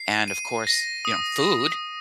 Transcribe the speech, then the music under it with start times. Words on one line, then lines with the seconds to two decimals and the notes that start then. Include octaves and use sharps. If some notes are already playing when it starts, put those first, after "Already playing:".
and, of course, you know, food
Already playing: C7
0.28 D#7
0.67 A#6
1.05 D#6